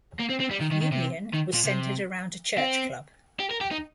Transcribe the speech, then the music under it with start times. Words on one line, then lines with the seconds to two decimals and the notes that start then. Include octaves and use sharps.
Union was centred around a church club.
0.20 A#3
0.30 C4
0.40 C4
0.51 G3
0.61 D#3
0.71 D#3
0.82 D#3
0.92 C3
1.33 D#3
1.53 A#2
1.65 C3
2.58 C4
3.40 G4
3.51 A#4
3.61 G4
3.71 D#4